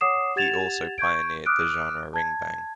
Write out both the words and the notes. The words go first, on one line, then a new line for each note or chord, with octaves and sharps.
He also pioneered the genre ringbang.
C#5 F#5 D6 D#6 C7 E7
G4 F#5 G#6 A6 E7 F7
C#6 G6 G#6 D7
D6 D#6 F6 F#6 D7
A5 G#6